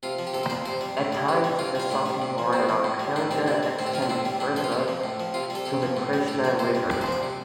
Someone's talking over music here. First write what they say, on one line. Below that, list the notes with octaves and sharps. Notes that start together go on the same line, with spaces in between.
At times, the southern border of Kalinga extended further up to the Krishna river.
C3 F4
F3
G4
C3 A4
C5
F3 D5
C3 C5
G3
A2
G3
C3 G4
G3
C3 F4
G3 F4
A2 D4
G3
C3
F3
C3 C4
F3
A2
G3
A2 D4
G3 C4
C3 D4
G3
A2 C4
G4
F3 F4
D4
A2 C4
G3
A2 D4
F3 A4
F4
C3 G4
F3
A2
F3
C3 F4
G3
A4
C3 G4
F3
A2
G3
A2 G4
F3 D5
C3 C5
G3
C3 D5
F3 C5
D5
C3